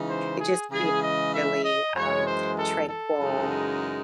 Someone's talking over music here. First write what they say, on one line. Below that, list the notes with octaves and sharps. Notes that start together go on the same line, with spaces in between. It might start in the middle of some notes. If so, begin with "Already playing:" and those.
It just creates really, um, tranquil,
Already playing: C#3 E3 G#3 D#4
C5
G#4
C#3 E3 G#3 G#4
D#5
E5
D#5
F#2 E3 G#3 C#5
C5
A4
A4
F#2 C#3 E3 G#3 D#4